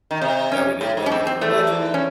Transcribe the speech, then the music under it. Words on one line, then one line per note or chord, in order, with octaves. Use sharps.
that we didn't need any religion,
D#3
C3
C#4
A2
G#2
C#4
C4
C4
E2 A3
C#4